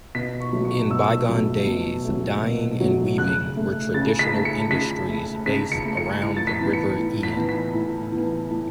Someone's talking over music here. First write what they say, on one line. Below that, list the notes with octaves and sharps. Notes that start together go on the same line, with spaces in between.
In bygone days, dyeing and weaving were traditional industries based around the River Ehen.
B2 B6
C#6
F#3 A3
C#6
B2 E6
F#3 A3
B2
F#3 A3
B2
F#3 A3
C#3 F#6
A3
C#3 A6
B6
A3
C#7
C#3 B6
A3
C#3 B6
C#7
A3
C#7
A2 C#7
A6
B6
E3 B3
C#7
A2
B6
E3 B3
B6
A2
E3 B3
A2